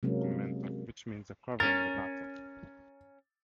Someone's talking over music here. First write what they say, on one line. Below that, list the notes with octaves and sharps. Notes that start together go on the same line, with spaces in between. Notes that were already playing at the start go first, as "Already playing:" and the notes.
It derives from "integumentum", which means "a covering" in Latin.
C3 F#3 G#3 A#3 C#4
C#4 A#4 A6